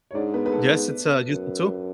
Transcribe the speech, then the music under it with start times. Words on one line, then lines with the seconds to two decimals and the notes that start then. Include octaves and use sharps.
Yes, it's, uh, useful too.
0.11 C#5
0.14 G#2 D4 D5
0.34 B3 B4
0.46 B4
0.52 A3 A4
1.28 F#2